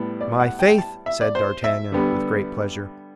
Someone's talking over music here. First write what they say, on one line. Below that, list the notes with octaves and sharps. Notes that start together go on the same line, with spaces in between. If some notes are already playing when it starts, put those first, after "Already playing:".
"My faith!" said d'Artagnan, with great pleasure.
Already playing: A2 G3 B3
D5
F#5
G5
G5
A5
E5
D5
C5
E5
D3 G3 B3